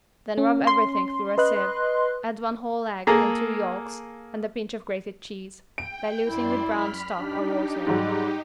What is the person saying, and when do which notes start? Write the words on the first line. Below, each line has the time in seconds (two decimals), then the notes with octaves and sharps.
Then rub everything through a sieve, add one whole egg and two yolks and a pinch of grated cheese, diluting with brown stock or water.
0.38 C#4
0.67 C6
1.38 B4 D#5 F#6
3.07 A#3 G#4 A4 A#5
5.78 G5 D7
6.26 F#2 E4 D5 C6
6.65 B5 F6 B6
7.15 D4 D#4 G4
7.87 G#2 F#3 G3